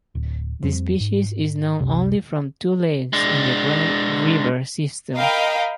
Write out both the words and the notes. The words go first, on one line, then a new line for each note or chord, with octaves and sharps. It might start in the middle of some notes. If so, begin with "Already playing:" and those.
The species is known only from two lakes in the Grime river system.
D1
F2 G3 C4
G#2
C#2 F#2 C3
G#3 D4
A#4 D#5 F5 G5 B5